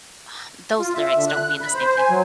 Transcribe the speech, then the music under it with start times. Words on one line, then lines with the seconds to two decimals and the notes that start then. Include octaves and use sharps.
Um, those lyrics don't mean the same thing.
0.79 F4
0.94 E5
1.15 D3
1.28 F#6
1.61 B5
1.75 C5
1.98 G#5
2.10 F#3